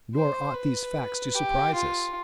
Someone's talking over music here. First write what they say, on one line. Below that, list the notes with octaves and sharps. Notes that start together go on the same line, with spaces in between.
Nor ought these facts to surprise us.
C5
B4
G4
F4